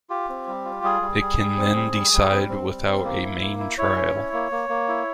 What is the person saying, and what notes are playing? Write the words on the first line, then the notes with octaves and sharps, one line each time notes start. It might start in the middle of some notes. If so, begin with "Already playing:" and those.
It can then decide without a main trial.
F4 G4
C4
G3
F4
G3 G#4
G3
G3
G3
C4
G3
G3
G3
C4
C4
G3
C4
A#3
E4
A#3
E4
E4 C#5
C#4
E4
A#3
A#3
A#3
E4